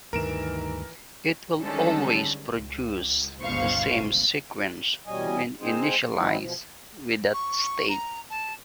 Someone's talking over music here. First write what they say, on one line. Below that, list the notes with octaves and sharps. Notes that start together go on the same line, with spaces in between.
It will always produce the same sequence when initialized with that state.
D2 G2 D#3 E3 A#4 D7 E7
D3 D#3 G3 G#3 C#4 A4
C#2
G1 C#2 B2 C5 F5 C#6
E2 B2 G3 C#4 D#5 G#5
G#3 C4 D#4 G#4 C5
E3 F#3 G#3 C4 D#4 E4
B2 F3
C#6
A#5
A5